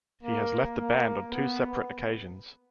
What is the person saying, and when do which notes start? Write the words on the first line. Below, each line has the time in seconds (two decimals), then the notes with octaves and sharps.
He has left the band on two separate occasions.
0.23 A#3
0.78 A#3
1.31 B3